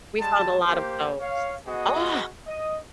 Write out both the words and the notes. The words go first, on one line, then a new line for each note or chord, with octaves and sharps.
We found a lot of those. Ah!
G3 G#3 A5
A#3 G4 C5
C#5 F5
B3 F#4 G#4 D#5
D#5